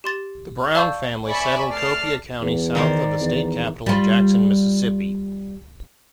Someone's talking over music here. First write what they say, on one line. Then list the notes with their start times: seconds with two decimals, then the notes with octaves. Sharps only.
The Brown family settled Copiah County south of the State Capital of Jackson, Mississippi.
0.04 G4 C6 A6
0.74 D5 F5 A5 C#6 E6 G6
1.29 D5 E5 G#5 B5 C#6
1.68 A3 D5 A5 F6 C7
2.41 E2
2.75 D#3 A#4 C5 D5
3.20 E2
3.86 G3 F4